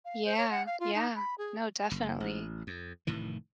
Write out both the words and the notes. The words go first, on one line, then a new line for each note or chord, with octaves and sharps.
Yeah, yeah, no, definitely.
F5
C5
C#5
F#5
F5
F4
D#4
B5
G#4
F#1
A1
F2
F1 A2 D#3 E3